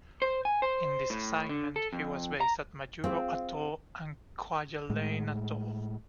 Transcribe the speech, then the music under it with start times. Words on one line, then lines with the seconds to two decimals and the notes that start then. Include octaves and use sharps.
In this assignment he was based at Majuro Atoll and Kwajalein Atoll.
0.22 C5
0.45 G#5
0.62 C5
1.10 A2
1.49 D3
1.76 A4
1.93 F2
2.41 A#5
3.04 C4 F4 G#4
4.90 A2 G#3